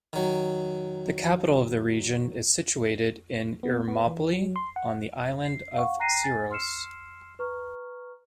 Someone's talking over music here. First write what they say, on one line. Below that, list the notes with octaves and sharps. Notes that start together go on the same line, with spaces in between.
The capital of the region is situated in Ermoupoli on the island of Syros.
D#3 F#3
B3
B3
E3
F#3
C6
F#5
C7
F5 F#5 C#6
G5 A#5 F#6 A#6 C7 D#7
G#5 A6
C6 E6 F6 C7 C#7 E7
B4 A#5 C#6 F6